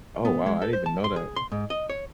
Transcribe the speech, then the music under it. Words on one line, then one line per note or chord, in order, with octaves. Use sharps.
Oh, wow. I didn't even know that.
B3
G#3
A4
C5
A5
C6
G#4
C6
G#2
D#5
C#5